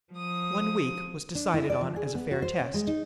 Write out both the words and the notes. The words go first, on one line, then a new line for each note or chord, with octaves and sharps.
One week was decided on as a fair test.
F3 D#6
D4
E4
D5
F3
G#4
B3
F#4
C5
C#4
G#3
D#4